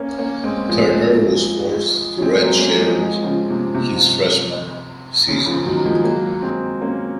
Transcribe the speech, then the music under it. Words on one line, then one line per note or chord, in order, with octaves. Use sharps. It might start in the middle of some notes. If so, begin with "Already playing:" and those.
Turner was forced to redshirt his freshman season.
Already playing: A#3 C#4
A#3 C#4
G#3 C4
F3 G#3
C#4
G#3 C4
F#3 A#3
A#3 C#4
F3 G#3
F3 G#3
C#3 F3
C3
C3
C#3
C#3 F3
D#3 F#3
F3 G#3
F#3 A#3
G#3 C4
A#3 C#4